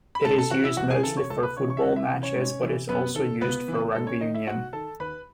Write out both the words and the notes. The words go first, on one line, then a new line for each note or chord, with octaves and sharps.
It is used mostly for football matches, but is also used for rugby union.
B5
G#2 A4 A5
A4 A5
E3 F#4 F#5
E4 E5
E2 F#4 F#5
G#4 G#5
C#3 E3 A4 A5
C#5 C#6
C#2 A4 A5
B4 B5
C#3 E3 C#5 C#6
C#5 C#6
E5
D#2 F#4 F#5
E4 E5
C#3 E3
C#4 C#5
G#2
E3
F#2 B3 B4
D#3 A4
C#2 B3 B4
C#3 E3
G#2 A4
C#4 C#5
D#3 D#4 D#5
E4 E5
G#2 F#4 F#5
D#3 A4 A5
D#2 B4 B5